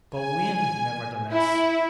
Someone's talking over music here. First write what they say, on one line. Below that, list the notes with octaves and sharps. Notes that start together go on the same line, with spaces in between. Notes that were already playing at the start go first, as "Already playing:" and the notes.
"Go in, nevertheless."
G#5
E4